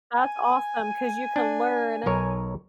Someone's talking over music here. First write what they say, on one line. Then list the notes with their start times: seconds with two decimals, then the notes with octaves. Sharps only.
That's awesome, 'cause you can learn
0.16 G#5
1.36 D4
2.06 B1 A#4 C#5